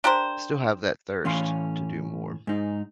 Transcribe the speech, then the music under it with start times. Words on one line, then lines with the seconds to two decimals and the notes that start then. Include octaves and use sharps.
still have that thirst to do more.
0.04 D4 G4 A#4 C5
1.25 A2 E3 C#4 F5 C6
2.47 G#2 D#4